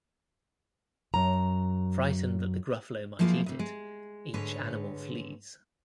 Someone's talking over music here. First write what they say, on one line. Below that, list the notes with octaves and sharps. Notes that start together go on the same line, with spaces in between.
Frightened that the gruffalo might eat it, each animal flees.
F#2 A#5
F3 F#3 G#3 A#3 E4 F4
D2 C3
G#3
G#2 D3 G#3 B4 C#5